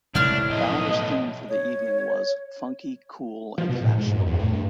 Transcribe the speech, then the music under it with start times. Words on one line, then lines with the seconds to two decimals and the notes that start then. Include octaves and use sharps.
Bowers' theme for the evening was 'funky, cool and fashionable'.
0.15 C3 G#3 A3 D4 E4 C#5 F6
0.50 B1 A2 F3 D#5
1.50 C#5
3.58 F3
3.69 B2
3.82 A2
3.98 G#2
4.14 F#2
4.26 E2
4.39 A2
4.52 G2